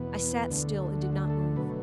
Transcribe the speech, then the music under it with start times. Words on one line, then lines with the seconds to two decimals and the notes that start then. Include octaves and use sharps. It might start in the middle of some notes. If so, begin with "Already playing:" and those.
I sat still and did not move.
Already playing: E2 B2 B3
0.49 D2 D3 A3
1.02 F#4
1.30 A4
1.56 B2 F#3 A3 B4